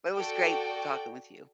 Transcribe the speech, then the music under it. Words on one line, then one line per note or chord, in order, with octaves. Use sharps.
but it was great talking with you.
F#4 A4 D5 G5